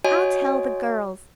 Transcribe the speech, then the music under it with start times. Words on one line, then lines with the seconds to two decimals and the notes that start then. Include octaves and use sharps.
I'll tell the girls.
0.04 F#4 C#5 D#5 G#5